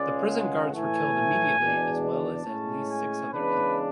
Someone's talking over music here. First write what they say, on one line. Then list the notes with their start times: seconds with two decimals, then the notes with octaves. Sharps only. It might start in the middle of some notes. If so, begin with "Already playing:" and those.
The prison guards were killed immediately as well as at least six other people.
Already playing: C#2 C#3 G#3 D5
0.30 F#5
0.72 A2 E3 A3 G#5
1.59 E2 B2 G#3 D4
2.02 A5
2.45 A2 G#3 C#4
2.89 G#5
3.32 E2 C#3 G#3 D4 B4